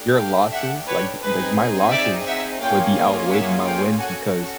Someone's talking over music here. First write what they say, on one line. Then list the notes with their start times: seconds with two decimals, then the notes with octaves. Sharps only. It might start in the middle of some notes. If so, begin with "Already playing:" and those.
your losses like, y like, my losses would be outweighed my wins because
Already playing: A3 D4 G4
0.17 F5 G5
0.52 E5 F#5
0.87 B4 C#5
1.22 C4 D#4 G#4 B4
1.91 D5 E5
2.26 E5 F#5
2.61 A#3 C#4 F4 G#4 F5 G5
3.30 E5 F#5
3.65 F5 G5
4.00 C#4 F#4 A4 F#5 G#5